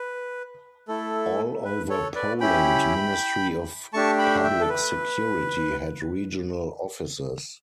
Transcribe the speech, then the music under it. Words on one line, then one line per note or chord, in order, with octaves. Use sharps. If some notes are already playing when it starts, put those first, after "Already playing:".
All over Poland Ministry of Public Security had regional offices.
Already playing: B4
A3 E4 A4
B4
A4 C#5
B4 D5
C#4 E4 G4 G5 B5
A3 D4 G4 A5 C#6
G5 B5
E5 G5
A4
B4